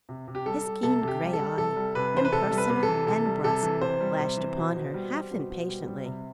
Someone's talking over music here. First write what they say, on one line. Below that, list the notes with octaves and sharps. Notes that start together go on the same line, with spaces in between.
His keen grey eye, impersonal and brusque, flashed upon her half impatiently.
C3
C3
G4
G3 A4
G3
C3 A4
C3
G4
G3
A4
G3
C3 A4
G3
C3 B4
E3 C5
B4
C3 A4
G3
B4
C3
A4
E3
C3 A4
G3
C3 A4
E3
C3 C5
G3
C3
E3
B2
B2
G3
G3
B2
B2
G3
G3
C3